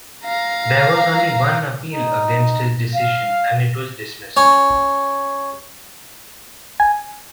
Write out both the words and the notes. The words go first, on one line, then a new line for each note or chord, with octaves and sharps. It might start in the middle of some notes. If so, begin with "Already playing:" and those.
There was only one appeal against his decision, and it was dismissed.
F5 A#5
D#4
F5
C#4
G#5